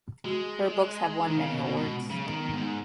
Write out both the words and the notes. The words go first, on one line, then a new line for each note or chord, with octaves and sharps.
Her books have won many awards.
G#3 F#4
D#3 D#4
C#3 B3
B2 C#4
B2 B3
B2 G#3
G#3
C#3 F#3
D#3 B3
B3
G#2
G#3